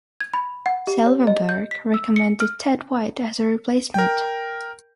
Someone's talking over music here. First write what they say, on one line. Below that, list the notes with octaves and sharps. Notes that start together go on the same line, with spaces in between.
Silverberg recommended Ted White as a replacement.
G#6
B5
F#5
G4
C#5
D#5
G6
B6
E6
C#7
F6
A#4 G5